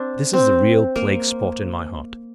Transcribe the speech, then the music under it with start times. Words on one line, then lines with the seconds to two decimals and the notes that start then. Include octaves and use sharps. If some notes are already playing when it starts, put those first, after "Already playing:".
This is the real plague-spot in my heart.
Already playing: C4 D4
0.33 C4
0.96 A#3